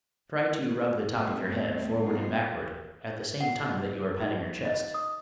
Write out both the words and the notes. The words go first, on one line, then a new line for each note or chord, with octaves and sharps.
Try to rub the top of your head forward and backward at the same time that you are patting your chest.
G3 A3 B3 C4
G#2 B2 G#3 D#4 F4
F#5
D#4
D#5
D#6